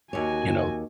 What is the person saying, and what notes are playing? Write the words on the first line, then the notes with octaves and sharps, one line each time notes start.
you know
D#2 F#4 C#5 G#5